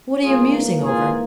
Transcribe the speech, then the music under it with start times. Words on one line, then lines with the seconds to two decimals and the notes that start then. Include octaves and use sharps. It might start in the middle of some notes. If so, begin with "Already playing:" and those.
"What are you musing over?"
0.24 G#2 E3 A#3 F4 G#4
0.84 F4 G#4